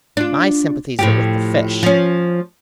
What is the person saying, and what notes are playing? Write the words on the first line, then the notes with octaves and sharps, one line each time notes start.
"My sympathies are with the fish."
D4 F4
A2 F3 G4
F3 C#4